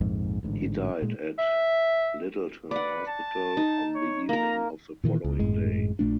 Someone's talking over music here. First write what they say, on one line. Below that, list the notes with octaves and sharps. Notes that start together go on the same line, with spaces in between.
He died at Lyttelton hospital on the evening of the following day.
A#1 F2 G#2
A1 G#2 B2 D3
A#2 G#3
E5
B4 D5 F#5
A5
D#4
C#5
A#3 A#4 A#5
A#2 D#3 E3
C#2
G#1 F#2 A2 G#3
A#1 A#2 A3 D4